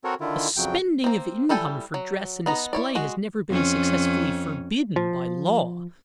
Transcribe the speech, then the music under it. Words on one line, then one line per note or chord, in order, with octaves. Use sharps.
The spending of income for dress and display has never been successfully forbidden by law.
C4 F#4 A4 A#4 C#5
D3 D#3 E4 F4
F2 C#3 F#3 G5
A#3 C4
G3 E4 A4 G5 G#5
F#3
B3 D#4 A#5
E4 C#5 D5
G#3 F#4
F2 C#4
F3